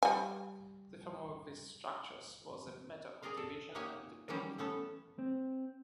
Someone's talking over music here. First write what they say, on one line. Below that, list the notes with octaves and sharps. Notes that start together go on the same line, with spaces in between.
The form of these structures was a matter of division and debate.
G3 G#5
G#4 A#4 D5 D#5 F5
A4
A#3 D#4 G4 C#5 F#5 G#5
D#3 E3 F#3 G3 C#4
A3 B3 C#4 A4 B4
C4